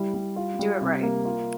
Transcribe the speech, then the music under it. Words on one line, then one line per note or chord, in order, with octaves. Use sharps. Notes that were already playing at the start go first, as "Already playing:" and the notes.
Do it right.
Already playing: G3 E4
G3
F4
G3
C3
A#3
F4